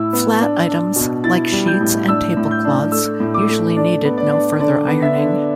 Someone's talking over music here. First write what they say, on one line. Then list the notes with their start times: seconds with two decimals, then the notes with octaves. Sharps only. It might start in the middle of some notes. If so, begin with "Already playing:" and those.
Flat items, like sheets and tablecloths, usually needed no further ironing.
Already playing: A2 E4 E6
0.13 B3
0.41 D4
0.69 D4
0.96 B2
1.24 E4 A6
1.52 G3
1.67 G6
1.81 A2
2.08 D4 E6
2.37 A2
2.51 G6
2.65 D4
2.92 A3 E6
3.20 A2
3.34 D6
3.49 A3
3.76 D4 D5
4.05 B3
4.18 D5
4.32 D4
4.60 D3 D5
4.88 B3
5.02 E5
5.16 D3